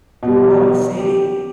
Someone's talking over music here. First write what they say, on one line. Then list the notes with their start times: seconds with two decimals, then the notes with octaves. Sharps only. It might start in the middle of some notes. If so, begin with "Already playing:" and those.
Oh, I see.
0.23 B2 G3
0.99 G4